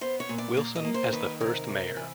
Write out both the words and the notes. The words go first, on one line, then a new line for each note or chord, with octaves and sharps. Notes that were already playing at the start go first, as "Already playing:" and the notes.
Wilson as the first mayor.
B3 C5
C#5
A#2
D5
A#3 D5
D#5
A#3
C5
D#3 B4
C3 A#4
C3
E3